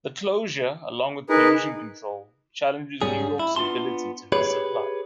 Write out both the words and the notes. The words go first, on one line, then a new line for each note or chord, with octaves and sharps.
The closure, along with pollution control, challenges New York's ability to be supplied.
D#4 G#4 A#4 B4
G#2 G3 C#4 G#4
E4
B3 D4 F4 A5 C6
G4 G#4 B4 C#5